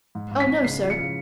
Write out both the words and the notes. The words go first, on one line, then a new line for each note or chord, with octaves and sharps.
Oh, no, sir!
G#2
G#2
B6
G#2
C#3 C7
F3
C#7
C#3